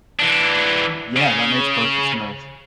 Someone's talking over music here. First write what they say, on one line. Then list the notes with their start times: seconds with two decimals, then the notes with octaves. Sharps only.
Yeah, that makes perfect sense.
0.19 E3 D4
1.17 C#3